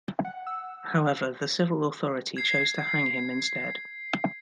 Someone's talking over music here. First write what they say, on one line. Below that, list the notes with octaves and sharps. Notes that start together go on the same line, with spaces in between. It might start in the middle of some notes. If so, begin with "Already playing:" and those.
However, the civil authority chose to hang him instead.
F#5
E6
G#6 C7